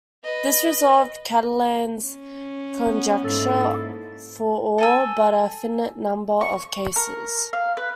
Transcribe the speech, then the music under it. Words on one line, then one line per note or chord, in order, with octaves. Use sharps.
This resolved Catalan's conjecture for all but a finite number of cases.
B4 D#5
C#4
B3
G#2 A#3 E4 A4
A4 G#5 E6
C#6
A#4
F5
B4